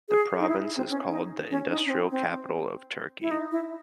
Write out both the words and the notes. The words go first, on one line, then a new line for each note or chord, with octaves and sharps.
The province is called the industrial capital of Turkey.
G#4
D#4
E4
C4
C#4
D#4
C#4
D#4
C#4
C4
C4
E4
D#4
E4